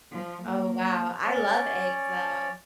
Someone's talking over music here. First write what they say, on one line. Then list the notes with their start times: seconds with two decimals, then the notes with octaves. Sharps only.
Oh, wow, I love eggs, though.
0.10 F3
0.41 A#3
1.26 C#4 C#5 D5